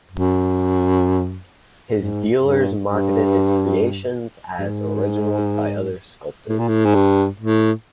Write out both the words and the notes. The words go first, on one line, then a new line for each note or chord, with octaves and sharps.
His dealers marketed his creations as originals by other sculptors.
F#2
G#2
G2
G2
G2
G#2
A2
A#2
A2
G#2
G2
A2